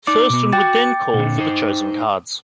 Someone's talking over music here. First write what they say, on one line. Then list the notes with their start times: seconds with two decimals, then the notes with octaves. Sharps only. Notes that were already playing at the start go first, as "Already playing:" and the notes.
Thurston would then call for the chosen cards.
0.07 D#4 D5 D6
0.30 B2 B3
0.53 F#4 G5 D6 A6
1.14 A#2 D3
1.38 D#4 C5